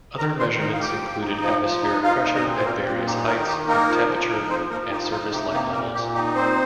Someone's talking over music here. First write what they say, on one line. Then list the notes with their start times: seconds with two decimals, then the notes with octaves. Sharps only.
Other measurements included atmospheric pressure at various heights, and temperature, and surface light levels.
0.18 D#3 A#4 A#5
0.39 D#3 C5 C6
0.59 D#4 A#4 A#5
0.73 F5
0.80 F3 G4 G5
1.01 F3
1.21 D#4
1.42 F3
1.62 F3
1.83 D#4
2.03 D#4 F4 F5
2.24 A#2
2.35 D#4 D#5
2.44 C4
2.57 C5
2.65 A#2 A#3 A#4
2.85 A#2 G4
3.06 D#4 G4
3.26 D#3 A#3 A#4
3.47 D#3 G4
3.67 A#3 D#4 A#4
3.88 F3
4.08 F3
4.29 D#4
4.49 F3 C4 C5
4.70 F3 A#3 A#4
4.91 D#4 G4
5.11 D#4 F4
5.32 C3 G4
5.53 A#3 G4
5.73 A#2 A#3 A#4
5.94 A#2 G4
6.14 D#4 G4
6.35 A#2 C4 C5